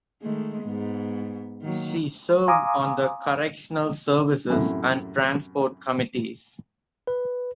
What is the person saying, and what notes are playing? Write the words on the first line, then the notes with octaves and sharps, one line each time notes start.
She served on the correctional services and transport committees.
D#3 G#3 A3
G#2 B3
D#3 F#3 A#3
F5 G#5 A#5 C6 D6 D#6
F#2 A2 C3
B4